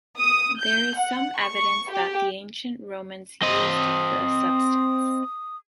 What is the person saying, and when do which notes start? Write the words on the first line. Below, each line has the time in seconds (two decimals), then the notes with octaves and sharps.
There is some evidence that the ancient Romans used the substance.
0.19 D#6
0.61 G6
0.99 F#5
1.38 C#6
1.91 G4
3.43 C4 D#5 D#6